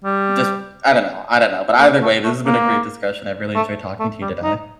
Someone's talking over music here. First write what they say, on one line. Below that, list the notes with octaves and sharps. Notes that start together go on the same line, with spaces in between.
just I don't know I don't know. But either way, this has been a great discussion. I really enjoyed talking to you today.
G3
A#3
A3
A3
A#3
A3
A3
G3
D#4